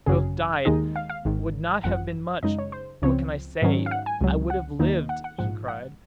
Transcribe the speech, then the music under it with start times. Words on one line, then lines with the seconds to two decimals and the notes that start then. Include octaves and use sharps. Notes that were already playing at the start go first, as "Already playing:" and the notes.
'To have died, would not have been much--what can I say?---I would have lived!' she cried.
0.06 G#1 F#2 C#3 F#3 C#4 G#4
0.65 D#2 D#3 G#3 D#4 D#5
0.96 F5
1.10 F5
1.25 G#1 G#2 D#3
1.84 G#1 F#2 F3 F#5
2.43 F#2 C#3 G#3 D#4 D#5
2.59 C#5
2.72 C5
3.02 C#2 C#3 F3 C4 C#5
3.62 G#2 D#3 F#3 C#4
3.86 F5
3.91 F#5
4.06 G#5
4.21 C#2 C3 F#3
4.50 F#5
4.79 D#2 D#3 A#3 D#4
5.09 F#5
5.24 F#5
5.38 A#1 G#2 F3 F#5
5.68 F#5